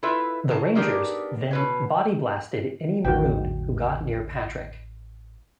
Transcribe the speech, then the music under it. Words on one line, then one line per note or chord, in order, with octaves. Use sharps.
The Rangers then body-blasted any Maroon who got near Patrick.
E4 F4 A4 B4 E5
C#3 A5 A#5
B3 D4 D#4 G4 G#4 A#4
B2 B4 C#5
A1 E2 D3 F#3 F#4 G5